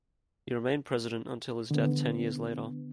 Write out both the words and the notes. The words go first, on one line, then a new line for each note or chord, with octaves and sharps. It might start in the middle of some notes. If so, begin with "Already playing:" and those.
He remained president until his death ten years later.
D3 B3